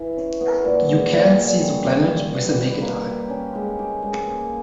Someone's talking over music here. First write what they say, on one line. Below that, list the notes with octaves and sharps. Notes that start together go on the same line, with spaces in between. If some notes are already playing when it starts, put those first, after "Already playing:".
You can't see the planet with the naked eye.
Already playing: E3
C#4
B3
A#2
G#3
A#2
G3
C#5
C#5
G4
B4
B4
A#3
G4
C#4
G#3
G4
G#3
A#3